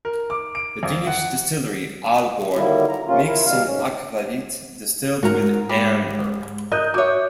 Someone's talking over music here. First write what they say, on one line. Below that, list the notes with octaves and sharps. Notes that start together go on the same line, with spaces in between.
The Danish distillery Aalborg makes an akvavit distilled with amber.
A#4
D6
D7
F2
F#5
D3 D#3 F#3 G3 A#3 E4
A#5
C3 A#3 C#4 F4
E4 A#4
B2 G3 F5
G#2 C#4
G#2 F#4 A#4 A#5
G4 B5
A#4 D#5 D#6 F#6 G6
F#4 C#5 E5 D6